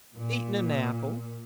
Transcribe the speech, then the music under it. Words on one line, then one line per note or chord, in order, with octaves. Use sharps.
"Eatin' 'n apple."
A#2